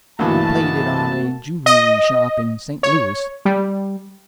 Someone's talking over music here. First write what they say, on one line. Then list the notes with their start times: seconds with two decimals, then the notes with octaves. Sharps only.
We played it on a julery-shop in St. Louis.
0.19 B1 G2 E3 A3 A#3 F#4 A5
1.66 D#5
2.83 C#5
3.45 G3